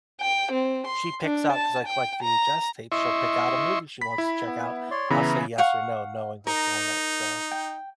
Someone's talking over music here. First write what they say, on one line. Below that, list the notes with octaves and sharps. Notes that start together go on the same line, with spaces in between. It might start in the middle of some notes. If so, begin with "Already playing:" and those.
she picks out 'cause I collect VHS tapes, she'll pick out a movie she wants to check out, I'll say yes or no, knowing what's on it, so
G5
C4
C6
D4
A5
G5
A#5
E4 D#5 E5 C6 C#6
B5 B6
E4
B3
C#5 D5 C6
C#3 E3 B3 E5 A#5 B5
F5 F#5 C#6
D#4 A#4
G5